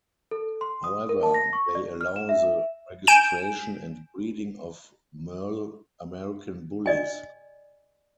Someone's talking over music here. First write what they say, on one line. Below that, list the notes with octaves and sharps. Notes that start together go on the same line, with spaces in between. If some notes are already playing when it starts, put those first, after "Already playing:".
However, they allow the registration and breeding of merle American Bullies.
A4
C6
D#6
A#4
A5
A#6
C#6
D5
F6
E7
E5
G#5 G6 D7 E7
D5 D#5 G#5